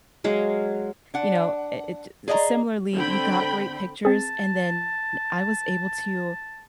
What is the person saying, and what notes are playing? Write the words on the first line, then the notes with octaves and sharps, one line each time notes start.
you know, it it Similarly, you got great pictures, and then I was able to,
F#3 G#3 F5
D4 F#5
G#4 D5 D#5 F#5 A#5
D3 C4 G5 B5
C4 G#4 A5